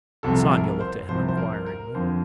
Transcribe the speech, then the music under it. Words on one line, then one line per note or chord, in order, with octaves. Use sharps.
Sonia looked at him inquiringly.
C2 C3 F3 A4
A#4
C5
C2 C3 F3 C5
C5
A#4
A#4
F2 D3 F3 C5